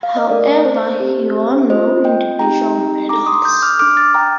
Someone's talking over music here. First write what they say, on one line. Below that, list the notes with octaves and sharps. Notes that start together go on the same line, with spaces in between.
However, he won no individual medals.
F5
D#5
A3 D4 A4 A#4 D5
C5
C4 G4
C4 F4 A4 C5 D#5
D#5 G5
C4 D#4 G4 G5 A#5
D4 A4 A#5 D6
C6 D#6
D#6 G6
D6 F6
D4 A4 D6 F6
F6 A6
G5 A#5